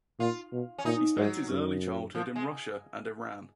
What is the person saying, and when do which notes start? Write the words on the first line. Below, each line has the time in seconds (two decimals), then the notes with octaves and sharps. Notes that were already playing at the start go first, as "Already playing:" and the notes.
He spent his early childhood in Russia and Iran.
0.19 A#2 F4
0.52 B2
0.78 C#4
0.85 A#2 D#4
1.17 G#2 F#3
1.50 F#2
2.15 F3
2.36 G#3